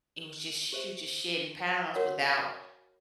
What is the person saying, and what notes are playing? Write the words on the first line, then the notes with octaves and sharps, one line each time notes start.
it was just she was just shedding pounds without
G4 C5 E5
F#4 A#4 C#5 F#5